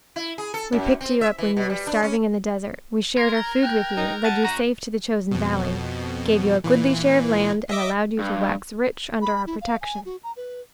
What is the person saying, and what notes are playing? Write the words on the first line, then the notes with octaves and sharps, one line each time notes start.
We picked you up when you were starving in the desert, we shared our food with you, led you safe to the Chosen Valley, gave you a goodly share of land, and allowed you to wax rich under our protection.
E4
G#4
A4
F#2
C4
E5
E3
B2
G3
D4
C#4
A#4 C6 G#6
A#5 A#6 G7
G5 F#6 G6
D#4
F#5 A5 F#6 B6 D#7
C#4 F#4 A#5
F2 B2
A#2 E3
D#5 E5 D6
G2
B5
E4
F5
G#5
F#4
A#5
B4